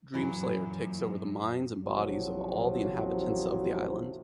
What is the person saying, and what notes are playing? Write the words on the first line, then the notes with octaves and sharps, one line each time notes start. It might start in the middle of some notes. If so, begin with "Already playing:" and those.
Dreamslayer takes over the minds and bodies of all the inhabitants of the island.
F#2 A#2 E3 F#3
A1 E2 C3 F3 F#3